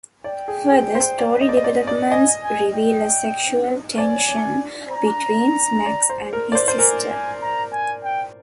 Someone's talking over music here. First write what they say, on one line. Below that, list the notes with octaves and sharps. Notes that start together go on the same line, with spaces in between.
Further story developments reveal a sexual tension between Smax and his sister.
D5 G5
G#4
G#4
C5
D5
D#5
D5
D#5
D5
D5
D#5 G#5
G#5
G5
D5 G#5
A#5
D5
C5
A#4
D5
C5
C5
A#4 G#5
G#5
A#5
G#5
G5